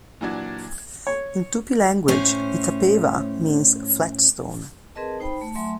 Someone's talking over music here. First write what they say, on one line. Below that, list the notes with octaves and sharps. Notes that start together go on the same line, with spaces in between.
In Tupi language, Itapeva means "flat stone".
A#2 E3 F#3 D4 D5 G#6
C#5
A2 C#4 C5
C4 G#4 A#4 B4 D#5 A5
D#4 C5 G5 B5
A3
F#3 A3 E5 G#5 C6